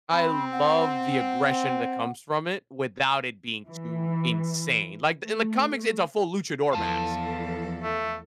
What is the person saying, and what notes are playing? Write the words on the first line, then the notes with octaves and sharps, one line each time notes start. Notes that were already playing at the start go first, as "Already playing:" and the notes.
I love the aggression that comes from it without it being too insane. Like, the in the comics, it's a full luchador mask.
C4 B5
F#5
E3
A3
E2 F3 A4 F5 A5
A3